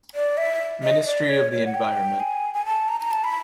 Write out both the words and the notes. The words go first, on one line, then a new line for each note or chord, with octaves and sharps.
Ministry of the Environment.
D5
E5
D#5
D#5
D5
C#5
C#5
F#5
G5
G#5
G#5
A5
A#5
A#5
A5
B5